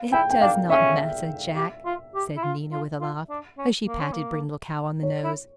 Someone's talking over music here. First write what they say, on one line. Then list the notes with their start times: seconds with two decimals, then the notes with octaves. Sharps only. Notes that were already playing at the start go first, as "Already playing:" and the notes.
"It does not matter, Jack," said Nina, with a laugh, as she patted Brindle Cow on the nose.
Already playing: F5
0.12 E4 G5
0.30 G5
0.41 D4 F5
0.70 C#4 E5
1.56 G4
1.85 F4
2.15 G4
2.37 E4
2.43 F4
2.72 F4
3.01 F4
3.30 D4
3.58 C#4
3.87 A#3
4.00 C#4
4.13 A#3
5.03 C#5
5.24 E4